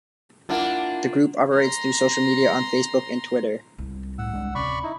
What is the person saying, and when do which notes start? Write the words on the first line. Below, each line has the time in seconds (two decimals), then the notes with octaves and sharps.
The group operates through social media on Facebook and Twitter.
0.49 A#3 D4 E4 F4 A#4 F#5
1.54 A#5 C6
3.78 C2
4.18 A2 F#5 E6
4.32 G#1 G#3 D4
4.55 D1 C3 C#4 D5 B5 C#6
4.83 D#4 E4